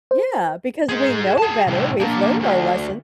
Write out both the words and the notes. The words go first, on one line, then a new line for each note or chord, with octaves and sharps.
Yeah, because we know better, we've learned our lessons
C5
G#4 C5
G#4 A5
C2 A2
A#3 D4
D2